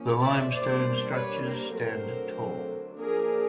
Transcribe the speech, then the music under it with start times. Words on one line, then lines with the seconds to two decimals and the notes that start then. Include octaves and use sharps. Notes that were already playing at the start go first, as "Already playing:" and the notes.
The limestone structures stand tall.
Already playing: F3 A#3 C#4
0.20 D5 E5
0.51 G3 A#3 D4 C5 D5
1.13 B4 C#5
1.44 A#4 C5
1.75 D3 F#3 A3 C4 A#4 C5
2.99 F3 A#3 D4 G#4 A#4